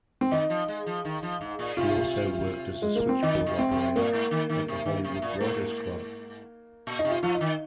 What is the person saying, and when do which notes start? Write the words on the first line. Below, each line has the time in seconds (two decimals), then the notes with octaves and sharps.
She also worked as a switchboard operator at the Hollywood Writers' Club.
0.21 C4
0.31 D#3 D#4
0.50 F3
0.68 G#3
0.86 F3
1.05 D#3
1.23 F3
1.41 G#2
1.59 A#2
1.77 C3 F4
2.82 G#3
2.96 A#3
3.09 C4
3.22 D#3 D#4
3.46 C3
3.59 C4
3.71 C3
3.96 A#2 A#3
4.13 G#2
4.31 D#3
4.49 D#3
4.68 C3
4.86 D#3
5.05 C3
5.22 A#2
5.40 G#2 A#3
6.87 A#2
6.99 D#4
7.05 C3
7.10 F4
7.23 F3 F4
7.35 D#4
7.41 D#3